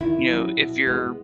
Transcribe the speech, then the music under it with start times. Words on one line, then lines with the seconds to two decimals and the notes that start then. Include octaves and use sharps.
you know, if you're,
0.01 D#3 E4
0.30 F#3 C#4
0.58 B2
0.87 G#3 B3